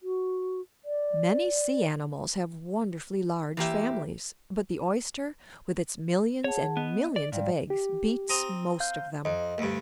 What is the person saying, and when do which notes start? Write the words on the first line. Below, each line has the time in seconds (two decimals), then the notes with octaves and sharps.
Many sea-animals have wonderfully large families, but the Oyster, with its millions and millions of eggs, beats most of them.
0.03 F#4
0.85 D5
3.57 E3 A#3 G4 E5
6.44 G#4 C#5 F#5 A5
6.77 B3 D#5
7.16 D5
7.32 G#2 G3 D5 F5
7.70 G4
8.29 C4 A#5 D#6
8.80 F5 G6
9.25 F2 D#5
9.58 D2 G2